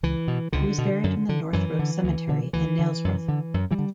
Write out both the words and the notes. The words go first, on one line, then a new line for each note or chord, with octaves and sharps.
He was buried in the North Road Cemetery in Nailsworth.
C#2 E3
B2
C#2 D3
B2
F#2
D3
F#2 E3
D3
D2
D3
D2 E3
D3
F#2
D3
F#2
E3 G3
D3